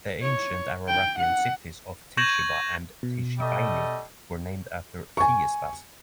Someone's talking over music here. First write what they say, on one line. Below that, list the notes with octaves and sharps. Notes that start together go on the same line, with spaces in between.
The ancient Araratian cities of Teyseba and Teishebaini were named after Theispas.
C#5
G5
F#5
C#6 G6 G#6 A#6 E7 F#7
B2
G3 A3 D#5
G#5 C#6